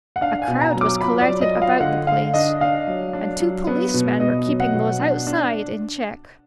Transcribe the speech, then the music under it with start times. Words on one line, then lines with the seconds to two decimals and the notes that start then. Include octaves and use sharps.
A crowd was collected about the place and two policemen were keeping those outside in check.
0.16 F#5
0.21 D4 F5
0.42 G#5
0.48 B2
0.61 A#5
0.75 F#3
0.81 D6
1.01 F4 B5
1.21 D5
1.28 F#3
1.41 D#5
1.55 F4
1.62 F5
1.80 D3 F#5
2.07 D3 F5
2.34 D4 D#5
2.60 D4 F5
2.87 F#3
3.13 D4
3.40 F#3
3.67 B3
3.94 B2
4.20 B2 D#5
4.46 F#3
4.60 F#5
4.74 B2
5.00 D4
5.27 D4